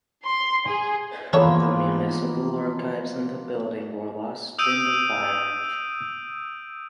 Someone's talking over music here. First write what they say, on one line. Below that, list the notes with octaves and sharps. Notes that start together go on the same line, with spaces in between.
The municipal archives in the building were lost in the fire.
C6
G#4
E3 F3 A#3 B3 G#4 A4 C#5
D#6 E6 G6 D7 D#7